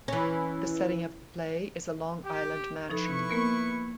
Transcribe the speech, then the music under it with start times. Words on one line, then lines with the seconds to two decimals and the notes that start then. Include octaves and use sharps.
The setting of the play is a Long Island mansion.
0.08 E3 C#4
2.25 G4
2.90 F3 D#4 E4 A4 B4 C#6
3.30 A#3 B3 A#4